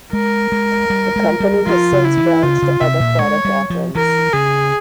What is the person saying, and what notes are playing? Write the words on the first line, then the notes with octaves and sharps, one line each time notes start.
The company has since branched to other product offerings.
G#3 A#4
G#3
G3
G#3
G3
F3 F4
C#3
E4
E3
C#3 F4
C#3
C3 E5
A#2
G#3 C#5
G3
F3
E3 A#4
C#3 G#4